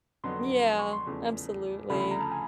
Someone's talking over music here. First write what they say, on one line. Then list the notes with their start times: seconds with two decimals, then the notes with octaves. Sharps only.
Yeah, absolutely.
0.24 F2 D3 F#3 B3 C6
0.79 C#6
0.93 C6
1.06 E2 C#3 F3 A3
1.90 D2 C#3 F3 A3 B5
2.00 B5
2.11 A#5
2.21 A5
2.31 G#5